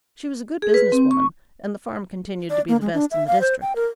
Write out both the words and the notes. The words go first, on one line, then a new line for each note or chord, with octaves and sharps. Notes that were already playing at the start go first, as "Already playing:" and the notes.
She was a good business-woman, and the farm continued to be the best in the district.
G#4
B4
C4
C#6
D5
A#3
G#3
D4
E5
F5
C5
G5
A#4